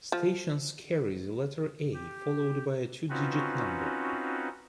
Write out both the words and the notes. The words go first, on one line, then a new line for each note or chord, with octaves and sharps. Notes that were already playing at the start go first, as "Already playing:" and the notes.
Stations carry the letter "A" followed by a two-digit number.
F3
G4
C4 C#4 D#4 F4 F#4 B4